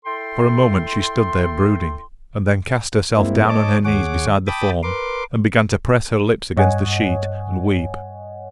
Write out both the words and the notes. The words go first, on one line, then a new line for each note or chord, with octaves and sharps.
For a moment she stood there brooding, and then cast herself down on her knees beside the form, and began to press her lips against the sheet, and weep.
E4 A4 G5 C6
G2 G#3 A#3 C4 E4
C#5 D#5 A5 D6
D#2 G#4 C#5 F#5 D6
G5 A5 B5 D6 D#6 A6
A#4 B4 C6 D6
G2 C#5 D#5 F#5 G#5